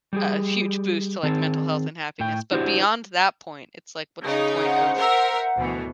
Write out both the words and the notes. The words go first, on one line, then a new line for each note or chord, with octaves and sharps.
a huge boost to, like, mental health and happiness. But beyond that point, it's like, what's the point of
G3 G4 G#4
D#3 C4 G#4 A5
A2 G5
D4 E4 F#4 G4 C5
C#3 D#4
C5 F#5
A#4 E5
D2 B2 E3